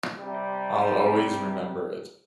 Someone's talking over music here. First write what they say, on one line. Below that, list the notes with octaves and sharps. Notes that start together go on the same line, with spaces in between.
I'll always remember it.
C3 G3